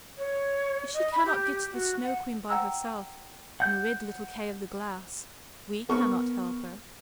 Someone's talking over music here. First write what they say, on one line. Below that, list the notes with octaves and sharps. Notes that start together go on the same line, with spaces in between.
If she cannot get to the Snow Queen by herself, and rid little Kay of the glass, we cannot help her.
C#5
D#5
B5
G4
F#4
F#5
F#5 G5 A#5 E6
F#5 G6
B3 A#4 C#6